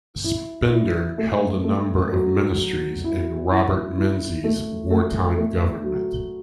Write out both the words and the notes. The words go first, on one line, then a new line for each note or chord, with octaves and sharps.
Spender held a number of ministries in Robert Menzies' wartime government.
E4
E4
A3
A3
F#3
F#3
E4
E4
E4
A3
A3
A3
F#3